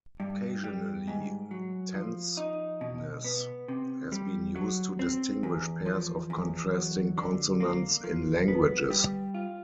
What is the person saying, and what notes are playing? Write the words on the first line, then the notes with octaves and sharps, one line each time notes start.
Occasionally, tenseness has been used to distinguish pairs of contrasting consonants in languages.
G2
G3
G#2
F#3
F3
D#4
B2
B3
C3
G3
F#3
C4
E2
F3
E2
F#3
D3
A#3
F3
B3
G3
F4